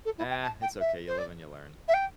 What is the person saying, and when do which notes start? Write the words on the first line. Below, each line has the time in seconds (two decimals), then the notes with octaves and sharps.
Ah, it's okay, you live and you learn.
0.05 A4
0.18 E4
0.30 G5
0.43 A5
0.62 G5
0.80 E5
1.07 C5
1.18 D5
1.88 E5
1.94 G5